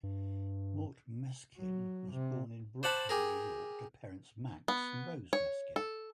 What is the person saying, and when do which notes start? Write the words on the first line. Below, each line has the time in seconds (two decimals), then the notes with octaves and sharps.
Mort Meskin was born in Brooklyn, New York to parents Max and Rose Meskin.
0.03 G2
1.57 F#3
2.12 C3
2.83 C5 D5 F#5 A5 B5
3.09 G4 G#4 A#4
4.68 B3
5.33 C#5
5.76 A4